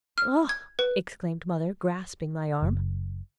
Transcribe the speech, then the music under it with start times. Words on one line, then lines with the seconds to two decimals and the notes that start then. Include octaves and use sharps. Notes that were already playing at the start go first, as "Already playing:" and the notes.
"Oh!" exclaimed mother, grasping my arm.
0.18 F6
0.49 G#6
0.79 B4
2.62 F#1